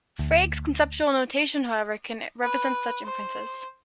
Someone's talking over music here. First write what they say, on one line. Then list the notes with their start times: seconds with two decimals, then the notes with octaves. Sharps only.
Frege's "conceptual notation" however can represent such inferences.
0.19 D2
2.43 B4
3.05 C5